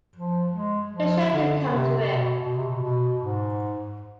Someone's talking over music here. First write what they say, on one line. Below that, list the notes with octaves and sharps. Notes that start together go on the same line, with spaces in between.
You're sure to come to it.
F3
G#3
F3
D3
C3
B2
B2
C3
B2
B2
G#2